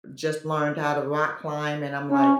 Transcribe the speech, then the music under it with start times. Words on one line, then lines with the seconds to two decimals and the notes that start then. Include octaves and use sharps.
just learned how to rock climb and I'm like,
2.10 C#4